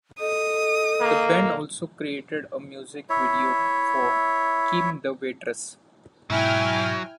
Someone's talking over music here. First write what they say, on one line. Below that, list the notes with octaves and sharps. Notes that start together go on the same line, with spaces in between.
The band also created a music video for "Kim The Waitress".
A4 D#5 D#6
A#3
E4 C#5 E5
G#2 B2 F#3 E4 G5 G#5 F6